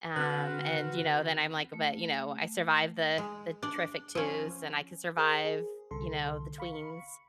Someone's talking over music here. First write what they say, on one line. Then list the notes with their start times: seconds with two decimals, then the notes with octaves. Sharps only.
Um, and you know, then I'm like but you know, I survived the the terrific twos, and I can survive, you know, the tweens
0.16 D3 C4 F#4 B4 F6 F#6
1.74 A3
3.18 G#3
3.63 D4 D5
4.15 F3 C#4
5.17 G#4 A#4 C5
5.45 G#4
5.91 C2 D3 A4 C6
6.58 F5 B5 C#6 C#7